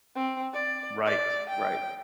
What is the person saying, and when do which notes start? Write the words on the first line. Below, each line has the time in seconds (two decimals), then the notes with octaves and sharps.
Right, right.
0.16 C4
0.53 D5
1.06 D5
1.49 G5